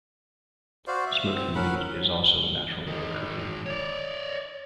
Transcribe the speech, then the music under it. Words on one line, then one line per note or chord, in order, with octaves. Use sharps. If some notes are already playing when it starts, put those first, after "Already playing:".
Smoking meat is also a natural way of cooking.
F#4 C5 D5 F5
E5
C4
C#4 A#4 F#5 B5
D#3 G#3
C#5 D5